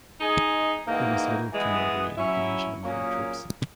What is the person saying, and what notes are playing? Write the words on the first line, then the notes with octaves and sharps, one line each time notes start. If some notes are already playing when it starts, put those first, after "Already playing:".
There was little camaraderie and cohesion among troops.
G#3 D#4 G#4
G#2 E3 A#3 D#4 F#4
E3 G#3 B3
F#3 C#4 E4
A#2 F#3 A#3 C#4 G#4